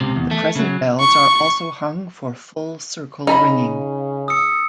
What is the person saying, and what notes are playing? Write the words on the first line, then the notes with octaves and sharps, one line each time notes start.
The present bells are also hung for full circle ringing.
C#2 C3
E2
A3
C#3 F#3
C#6
C#3 D#4 A5 B5
D#6 E6 C#7